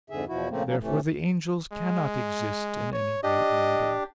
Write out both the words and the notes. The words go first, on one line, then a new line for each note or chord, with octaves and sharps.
Therefore the angels cannot exist in any great number.
F2 G#2 D3 G#4 E5
E2 B2 F3 E4 F#4
A#2 C#3 F3 A3 A#3 C4
D3 F3 F#3 A#3 C#4
A2 C3 E3 A3
G#3
C#5
D4 G4 D#5